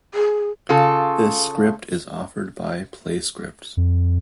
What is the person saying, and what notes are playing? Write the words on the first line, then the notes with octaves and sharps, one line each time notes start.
This script is offered by Playscripts.
G#4
C#3 F4 A4
F2